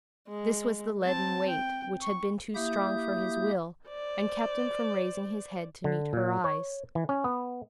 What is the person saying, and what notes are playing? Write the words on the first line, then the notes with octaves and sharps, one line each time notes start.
This was the leaden weight which had been too strong for his will, and kept him from raising his head to meet her eyes.
G#3
C4 A5
G5
C#6
A#3 E4 G4 E5 D#6 G6
C5 D5
D3
A#2
C#5
E3
C#4
B3